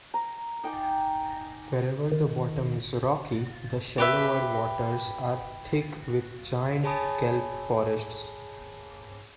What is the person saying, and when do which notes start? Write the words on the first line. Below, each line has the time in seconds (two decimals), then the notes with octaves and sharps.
Wherever the bottom is rocky, the shallower waters are thick with giant kelp forests.
0.14 A#5
0.64 D#4 G5 G#5 D6
2.12 D#3
3.98 G4 B4 E5
6.84 G#4 C#5 G#5 A5 B5 D#6